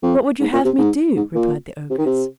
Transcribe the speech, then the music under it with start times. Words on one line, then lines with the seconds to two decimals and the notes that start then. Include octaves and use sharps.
"What would you have me do?" replied the ogress.
0.03 F2
0.41 G#2
0.53 A#2
0.65 C3
0.78 G#2
1.16 G#2
1.35 A#2
1.90 C3
1.98 D#3
2.06 C3